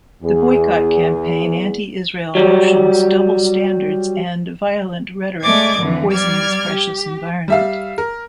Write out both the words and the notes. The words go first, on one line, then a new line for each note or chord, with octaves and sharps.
The boycott campaign, anti-Israel motions, double standards and violent rhetoric poison this precious environment.
E2 G#4
F#3 G3
G#3 A3 D5 D6 G#6
F2 D3 E3
G3 D5 F6 G#6
G4
G3 E5 F5
A#4